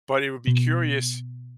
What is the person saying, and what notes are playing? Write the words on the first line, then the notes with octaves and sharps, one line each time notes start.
but it would be curious
B2